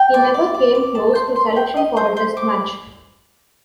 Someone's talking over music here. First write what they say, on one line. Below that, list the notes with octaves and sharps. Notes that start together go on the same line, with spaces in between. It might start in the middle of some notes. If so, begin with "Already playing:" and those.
He never came close to selection for a Test match.
Already playing: G5
D5
D5
D5
D6
A5
C5
C6
G5
D#5
C5
C5
D6